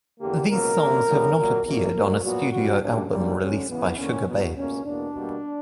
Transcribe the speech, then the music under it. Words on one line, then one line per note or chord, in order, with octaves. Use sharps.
These songs have not appeared on a studio album released by Sugababes.
E2 D3 A#3 G4
C#2 B2 A#3 A#4
F#2 D3 A#3
E2 C#3 G3 B3
A#2 F#3 A#3
E2 B2 F#3 A#3 A#4
G2 F#3 A#3
A#2 F#3 B3 F#4
C#2 B2 G3 F#4
F#2 C#3 G3 A#3 D4
E2 C#3 G3 A#3 D4
D2 D3 F#3 C#4
E2 C#3 E3 B3
E2 D3 A#3 C#4
E2 B2 F#3 B3
C#2 B2 A#3 C#4
E2 B2 A#3 D4
B2 G3 A#3